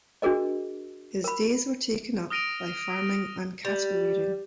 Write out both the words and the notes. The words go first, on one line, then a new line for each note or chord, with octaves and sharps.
His days were taken up by farming and cattle rearing.
D4 F#4 G#4 A#4 D#5
A#4 B5
D#6 F6 A#6 D7 D#7 F7
G3